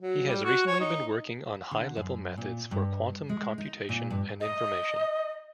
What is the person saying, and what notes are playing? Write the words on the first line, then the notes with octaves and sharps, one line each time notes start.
He has recently been working on high-level methods for quantum computation and information.
F#3
G3
F#4
C#5
D#4
D3
F#2
A#2
G2
G#3
D#4
A#2
G2
D#5